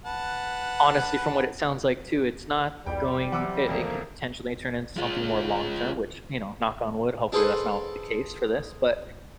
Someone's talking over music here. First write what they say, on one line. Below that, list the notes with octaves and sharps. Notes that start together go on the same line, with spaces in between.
honestly, from what it sounds like, too, it's not going it it could potentially turn into something more long-term, which, you know, knock on wood, hopefully that's not the case for this, but,
B4 F#5 A5
B1 E2 G3 G5
C3 E3 F#3 F#5 D6 E6
D#1 C2 F2 A#3
G#3 F4
D4 G#4 A4 B4 C5